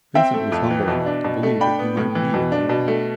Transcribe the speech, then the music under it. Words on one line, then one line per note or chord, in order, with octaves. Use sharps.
Vincent was humble enough to believe that he might be in the wrong.
C4 E5 G5
A3
F2
E3
B2
D4
B2
A3
D4 G5 B5
B3
A2
E3
B2
D4
B2
A3